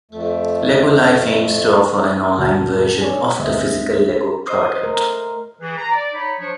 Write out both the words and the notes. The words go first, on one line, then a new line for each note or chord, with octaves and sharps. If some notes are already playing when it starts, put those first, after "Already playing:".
Lego Life aims to offer an online version of the physical Lego product.
F2 A3
D2 A#2 F#4 A5
C#5 D5 G#5
D2 G#3 A#3 C4 D#5 E5
C5 D#5
A3 A#4
E3 G#4
A#5
D5
D#4 C#5 B5
F3 F#3 D4 C5 C#5